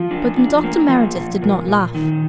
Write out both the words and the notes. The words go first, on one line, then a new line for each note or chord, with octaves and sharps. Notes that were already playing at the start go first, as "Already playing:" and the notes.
But Dr. Meredith did not laugh.
Already playing: F3 F4
D4
D4
A#3
F3
A#2
A#2
A#2
D#3